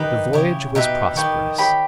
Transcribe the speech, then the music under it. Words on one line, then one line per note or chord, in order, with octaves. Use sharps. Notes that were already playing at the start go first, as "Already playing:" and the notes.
The voyage was prosperous.
Already playing: D#3 D#4 G4 B4
C#3 E4 G4 C#5
B2 D#4 G4 B4 E5
D#3 G4 B4 G5 C#6
G4 C#5 G5 B5